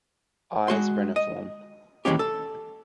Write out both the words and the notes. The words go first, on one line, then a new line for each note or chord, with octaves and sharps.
Eyes reniform.
G#3 F#4 C6
D#5
D#2 D#3 E3 G#3 C#4 G4
A4